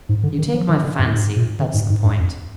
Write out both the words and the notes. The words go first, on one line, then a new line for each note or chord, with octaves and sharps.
You take my fancy; that's the point!
G#2
D3
D#3
F3
D#3
D3
G2
G#2
A#2
D3
G#2
G#2
G2
F2